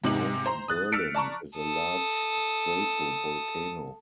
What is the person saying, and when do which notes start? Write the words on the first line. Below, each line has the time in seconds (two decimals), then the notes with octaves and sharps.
Mount Berlin is a large stratovolcano.
0.04 G#2 C3 D#4 F#7
0.46 C5 A#5 C6
0.68 D#6 F#6 A6
0.92 E6 F6 A6 B6 C#7 D7
1.15 D5 A5 A#5 C#6
1.58 A4 D#6